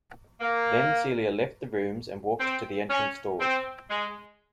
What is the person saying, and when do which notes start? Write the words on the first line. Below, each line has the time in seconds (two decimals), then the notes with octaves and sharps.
Then Celia left the rooms and walked to the entrance-doors.
0.41 A#3
2.40 C4
2.90 C#4
3.40 C4
3.90 G#3